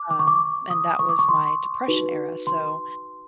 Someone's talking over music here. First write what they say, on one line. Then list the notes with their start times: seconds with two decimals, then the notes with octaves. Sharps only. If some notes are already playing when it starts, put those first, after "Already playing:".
Um, and that was my depression era, so,
Already playing: D6
0.11 D6
0.19 C#6
0.27 D6
0.70 D#6
0.99 C#6
1.09 D6
1.19 C#6
1.29 C6
1.88 D#4 F#4 B4
2.47 C6